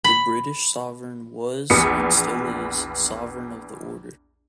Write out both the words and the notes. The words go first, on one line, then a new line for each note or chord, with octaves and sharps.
The British Sovereign was, and still is, Sovereign of the Order.
B5
A#1 E2 B3 D#6 C#7